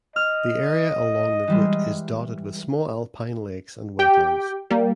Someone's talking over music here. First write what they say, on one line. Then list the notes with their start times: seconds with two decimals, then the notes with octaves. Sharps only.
The area along the route is dotted with small alpine lakes and wetlands.
0.16 D#5 F6
1.48 E3 G3 G#3
3.99 G4 G5
4.70 G3 A#3